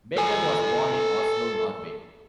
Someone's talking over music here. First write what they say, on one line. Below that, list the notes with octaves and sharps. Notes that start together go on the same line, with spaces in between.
Backer was born in Oslo, Norway.
A4 G#5